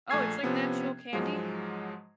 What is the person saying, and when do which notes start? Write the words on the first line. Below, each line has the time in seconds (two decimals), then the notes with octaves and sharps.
Oh, it's like an actual candy?
0.10 A#1 A3 G#5 C#6 G#6 C7
0.43 C3 F3 B3 C#4
1.13 G#2 F3 F#3 G#3